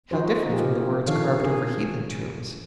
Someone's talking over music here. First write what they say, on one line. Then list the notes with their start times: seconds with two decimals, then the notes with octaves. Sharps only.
How different from the words carved over heathen tombs!
0.11 F3 D#4 F#4 C5
0.48 A#2 F3 A#3 F4 G4 G#4
1.06 D3 D#3 F3 A4 C#5 F5
1.44 G#4